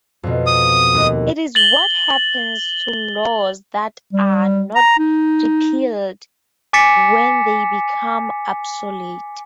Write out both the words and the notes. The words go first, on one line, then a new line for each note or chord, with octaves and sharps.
It is what happens to laws that are not repealed when they become obsolete.
F2 B2
D#6
D#2
A6 F#7 G7
G3
A#5
D#4
G#5 D6 A6 B6 C#7 E7